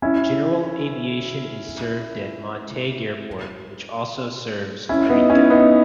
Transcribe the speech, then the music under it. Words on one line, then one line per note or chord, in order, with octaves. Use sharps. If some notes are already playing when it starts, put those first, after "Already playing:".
General aviation is served at Montague Airport, which also serves Yreka.
C#4 E4
C#4 E4
B3 D#4
C#4 E4
B3 D#4